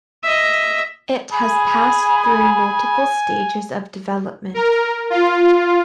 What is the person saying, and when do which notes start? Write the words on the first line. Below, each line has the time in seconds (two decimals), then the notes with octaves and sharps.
It has passed through multiple stages of development.
0.23 D#5 E5
1.32 G#4 G#5 B5
4.54 A#4
5.10 F4